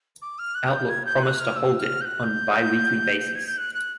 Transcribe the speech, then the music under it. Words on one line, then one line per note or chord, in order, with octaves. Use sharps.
Outlook promised to hold it on biweekly basis.
D6
F6
F#6
G6
G#6
G6
F#6
F6
E6
F6
G6
F#6
G6
G#6
G6
F#6
F#6